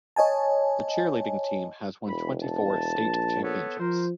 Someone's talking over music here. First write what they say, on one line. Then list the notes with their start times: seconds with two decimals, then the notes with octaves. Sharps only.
The cheerleading team has won twenty-four state championships.
0.16 C#5 D#5 G#5 A5
2.07 E1 B5
2.43 A5
2.99 A#1
3.43 B3 A4 C#5
3.80 F3 A#4 C5